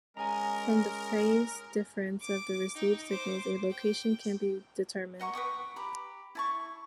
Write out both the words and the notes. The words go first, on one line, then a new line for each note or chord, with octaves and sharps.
From the phase difference of the received signals, a location can be determined.
G#3 C#4 A#4 D#5 G#5 A#5
D6
D#4 G5
C5 D6
G5
D#5 F#5 A#5 C#6
B4 G5 C#6 D#6
G4 A#5 B5
E4 A5 C#6